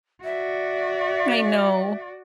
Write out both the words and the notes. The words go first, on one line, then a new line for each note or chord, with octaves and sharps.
I know.
F#4 D5 E5